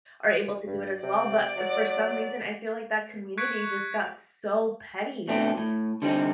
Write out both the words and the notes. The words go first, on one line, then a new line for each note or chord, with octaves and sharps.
are able to do it as well, but, uh, for some reason, I feel like that community just got so petty.
G2
C3 D5
F#3
C#6 F#6 G#6 B6 C#7 D7
B2 A3 C4 D4
A2
D3 G3 B3 C4 D#4